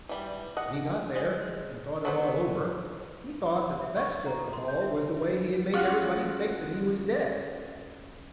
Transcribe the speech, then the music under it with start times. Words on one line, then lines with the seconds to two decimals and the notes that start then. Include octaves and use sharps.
When he got there and thought it all over, he thought that the best joke of all was the way he had made everybody think that he was dead.
0.09 E3 G3
0.57 D#5 F#5
1.15 G#3
2.05 F#3 B3 C5
3.81 E5
3.97 C#6
4.11 D#5
4.26 A#5
4.39 A4
4.53 C6
4.68 G6
4.81 E5
5.74 C#4 F4 F#4 F#5 C#6